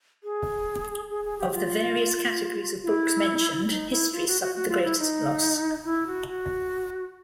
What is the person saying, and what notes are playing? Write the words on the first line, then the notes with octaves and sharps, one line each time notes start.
Of the various categories of books mentioned, history suffered the greatest loss.
G#4
G#4
G#4
G4
F4
F4
E4
D#4
E4
F4
F#4
F#4
F#4
F4
E4
D#4
E4
F#4
F#4